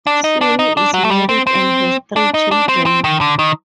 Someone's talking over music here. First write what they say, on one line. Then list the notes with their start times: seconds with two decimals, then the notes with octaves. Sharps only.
Swinney is married and has three children.
0.07 D4
0.24 D#4
0.41 D4
0.59 D#4
0.77 D4
0.94 F#3
1.05 A3
1.11 G3
1.29 C4
1.47 C4
2.16 D4
2.34 D#4
2.51 D4
2.69 C4
2.86 C4
3.04 D#3
3.21 D3
3.39 D#3